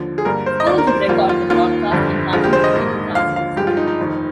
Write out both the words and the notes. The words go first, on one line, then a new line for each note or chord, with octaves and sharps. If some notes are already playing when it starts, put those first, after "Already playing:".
Schools would record the broadcast and transmit it into classrooms.
Already playing: D#2 D3 F3
G#4
G2 D3 G3 A#3 A#4
C5
D#5
D#2 D#3 A#3 D5
A#4
C5
F2 D#3 G3 A#3 F4
F4
D#2 D#3 A#3 F4
G1 F2 D3 G3
F1 F2 D3 G#3 F4
G4
C5
D#5
A#1 G#2 D#3 A#3
D#2 D3 F3 F5
F5
G2 F3 G#3 G4
F4
D#4
D#4
F1 F2 D#3